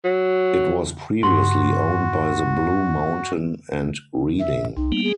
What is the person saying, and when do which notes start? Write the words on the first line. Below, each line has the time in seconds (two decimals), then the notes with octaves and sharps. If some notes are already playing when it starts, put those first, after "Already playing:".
It was previously owned by the Blue Mountain and Reading.
0.05 F#3
1.23 G2 F#4 C6
4.39 E5
4.77 C2 D#4
4.92 G3 A#3 B3
5.04 G#4